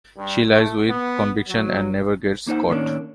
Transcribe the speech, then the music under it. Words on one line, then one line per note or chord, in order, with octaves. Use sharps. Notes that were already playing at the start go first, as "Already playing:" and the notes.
She lies with conviction and never gets caught.
G2
A3
B3
F#3
A#3 D#4 C5 F#5
A2 D#3 A#3 C#4 D4